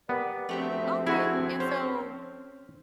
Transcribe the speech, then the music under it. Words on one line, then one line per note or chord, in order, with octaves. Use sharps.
Okay, and so,
B3 G4 A#4 D5
D2 F3 A3 C4 G4 E5
E4 F#4 G#4
C#4 C5